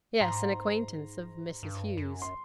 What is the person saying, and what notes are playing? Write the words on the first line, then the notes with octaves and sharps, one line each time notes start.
"Yes, an acquaintance of Mrs. Hughes."
G#2 A#5 C6
G2
F#2
C6